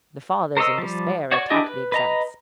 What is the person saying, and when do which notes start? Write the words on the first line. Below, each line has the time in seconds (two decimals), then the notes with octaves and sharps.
The fathers, in despair, attacked the exempts.
0.57 A#4 C5 C#5 D#5 E6
0.78 F3 G3
1.32 F#4 C#5 D5 C#6
1.50 D4 E4 G4 G#4 D#5
1.64 B4
1.92 B4 D#5 A#5